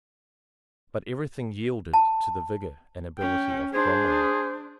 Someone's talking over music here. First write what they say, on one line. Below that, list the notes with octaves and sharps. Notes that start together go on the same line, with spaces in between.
But everything yielded to the vigour and ability of Cromwell.
A5
C#4 G5
D4 G#4 C5